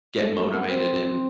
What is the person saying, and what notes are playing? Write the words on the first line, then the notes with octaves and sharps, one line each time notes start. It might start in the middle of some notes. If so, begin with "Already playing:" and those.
get motivated in
G#3
A3
A3
B3
C4